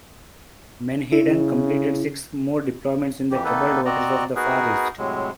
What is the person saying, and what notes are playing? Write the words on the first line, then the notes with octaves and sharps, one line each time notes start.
"Menhaden" completed six more deployments in the troubled waters of the Far East.
C#3 E4
F2 E3 G4
D#3 A#3 B3 D#4 A4 B4
C4 F#4 D5 D#5 A#5
B3 D#4 F#4 G#4 A#4 B4
A2 C3 F#3 G#3